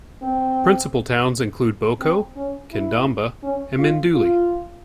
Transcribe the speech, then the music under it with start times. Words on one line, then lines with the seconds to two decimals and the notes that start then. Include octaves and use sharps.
Principal towns include Boko, Kindamba and Mindouli.
0.22 C4
2.00 C4
2.36 C#4
2.71 E4
3.43 C#4
3.78 F4
4.14 F4